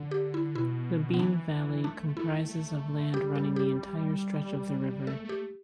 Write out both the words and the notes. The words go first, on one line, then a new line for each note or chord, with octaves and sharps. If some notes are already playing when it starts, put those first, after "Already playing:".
The Beam Valley comprises of land running the entire stretch of the river.
Already playing: D3
G4
E4
B2 E4
B3
E3 D4
A3 D4
A3 E4
A3
G3 G4
A4
G4
A3 A4
A3
G4